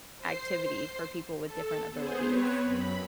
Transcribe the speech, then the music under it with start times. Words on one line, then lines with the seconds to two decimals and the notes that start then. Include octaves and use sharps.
activity for people with different abilities.
0.19 C5 C7
1.43 A4
1.90 B3 G#4 C5
2.25 B3 C4 B4 C#5
2.64 F#2 B5